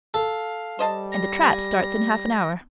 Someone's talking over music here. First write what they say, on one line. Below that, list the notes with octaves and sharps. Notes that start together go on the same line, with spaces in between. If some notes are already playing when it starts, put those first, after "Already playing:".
"And the trap starts in half an hour."
A4 F5
G3 C5 D#5 A5
A#6
G4 G#5